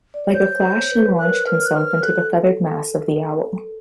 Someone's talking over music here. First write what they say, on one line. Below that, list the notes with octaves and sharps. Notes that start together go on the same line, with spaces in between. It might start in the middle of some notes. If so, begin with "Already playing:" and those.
Like a flash he launched himself into the feathered mass of the owl.
D5
C#5
C5 G6
C5
B4
A#4 F#6
F6
F#6
F6
A4 F#6